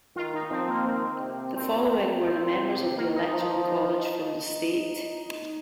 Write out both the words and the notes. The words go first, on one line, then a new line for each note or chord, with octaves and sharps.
The following were the members of the Electoral College from the state.
D#3 F4
D#4
F3 C4
A#3
D#3 C4
C3
A#2 C4
A#2 C4
C3
D#3 A#3
D#4
F3